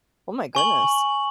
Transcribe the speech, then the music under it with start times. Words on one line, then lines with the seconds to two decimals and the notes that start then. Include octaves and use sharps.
Oh, my goodness.
0.55 G#5 C#6 F#7